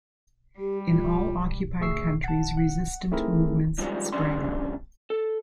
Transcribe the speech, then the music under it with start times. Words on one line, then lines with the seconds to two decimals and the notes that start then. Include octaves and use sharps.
In all occupied countries resistance movements sprang up.
0.59 G3 G4
0.91 F4
1.81 D2 G#4 E5 C#6 E6 C7
2.24 F#5 A5
2.57 F#5
3.12 A3 C4 D#4 E4 G#4 A#4
3.78 G2 D#3 F3 G3 G#3
4.12 F2 C#3 G3 D4 C6
5.10 A4